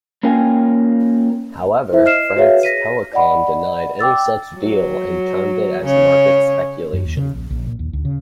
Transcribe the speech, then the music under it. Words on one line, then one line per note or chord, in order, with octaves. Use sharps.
However, France Telecom denied any such deal and termed it as market speculation.
A#3 C#4 F4 A#4 G5 G#5
E4 C5 E5
D#5 F6 C7 E7
F#4 G#4 B4 C#5 E5 F5
A#6 B6 D#7
D5 D#5 F#5 B5
G5 D6 E6 A6
F#3
C#3 C#5
F#2
D#2
C#3
A#1
A#1
A#2
D#2
D2
C#3